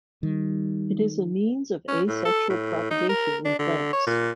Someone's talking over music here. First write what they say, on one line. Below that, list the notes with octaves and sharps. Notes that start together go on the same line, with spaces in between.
It is a means of asexual propagation in plants.
D#3 G3
C#4
A2
A4
A2
D#4
A#4
D4
D3
C#5
A#2